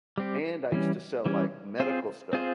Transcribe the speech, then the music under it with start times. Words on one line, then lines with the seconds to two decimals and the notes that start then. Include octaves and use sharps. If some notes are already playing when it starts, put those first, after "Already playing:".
and I used to sell like medical stuff
0.18 G3 C4 G4
0.72 E3 G3 C#4
1.26 E3 G3 C#4
1.80 C4 F4 G#4 C5
2.33 C4 F4 G#4 C5